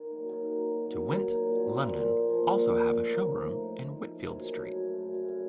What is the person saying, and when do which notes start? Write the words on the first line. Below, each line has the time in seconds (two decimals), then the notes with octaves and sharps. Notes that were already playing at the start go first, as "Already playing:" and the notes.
Derwent London also have a showroom in Whitfield Street.
Already playing: D#3
0.11 F#3 A#3
0.29 D#3
0.47 F#3 A#3
0.65 D#3
0.84 F#3 A#3
1.02 D#3
1.21 F#3 A#3
1.39 A#2
1.57 F3 A#3
1.75 A#2
1.93 F3 A#3
2.12 A#2
2.30 F3 A#3
2.48 A#2
2.67 F3 A#3
2.85 A2
3.03 F3 A#3 D#4
3.21 A2
3.40 F3 A#3 D#4
3.58 A2
3.76 F3 A#3 D#4
3.95 A2
4.12 F3 A#3 D#4
4.31 F#2
4.49 C#3 A3
4.68 F#2
4.86 C#3 A3
5.04 F#2
5.22 C#3 A3